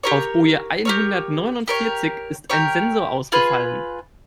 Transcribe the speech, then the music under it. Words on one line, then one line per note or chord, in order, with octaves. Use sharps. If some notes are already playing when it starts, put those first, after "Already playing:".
Auf Boje einhundertneunundvierzig ist ein Sensor ausgefallen.
G4 A#4 C#5
G4 A#4 C#5
G4 A#4 C#5
G4 A#4 C#5
F4 G#4 B4